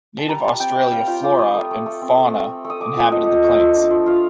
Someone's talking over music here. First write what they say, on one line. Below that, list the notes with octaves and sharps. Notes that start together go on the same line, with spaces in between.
Native Australia flora and fauna inhabited the plains.
A5
G3 A#5
G3 A5
C4 G5
C4 G5
G3 F5
F4 G5
F4 D6
G3 D#6
A3
A3
A3
C4
A3
C4
A3
A3
D#6
A3 D6
F3
F3 D#5
F3
A3
F3
D4
F3
F4 F5